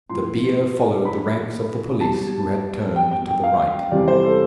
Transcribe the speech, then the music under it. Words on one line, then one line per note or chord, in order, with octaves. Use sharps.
The bier followed the ranks of the police, who had turned to the right.
A2 F3 C6
B5
B2 G3 A5
G5
G5
G5
F5
E2 C3 G3 D5
C5
A4